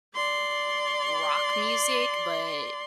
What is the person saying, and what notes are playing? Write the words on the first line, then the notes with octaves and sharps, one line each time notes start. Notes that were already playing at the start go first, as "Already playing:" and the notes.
rock music, but,
D5 C6